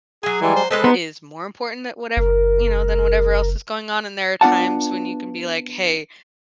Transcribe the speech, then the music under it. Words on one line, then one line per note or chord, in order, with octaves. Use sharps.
is more important tha whatever," you know, "than whatever else is going on." And there are times when you can be like, "Hey,
F#3 G#4 G#5
E3 G3 G#3
C5
G#3 A4 B4 C5 D#5 A5
B3 D#4 C6
F#1 A#4
B3 D4 F4 F#5 A5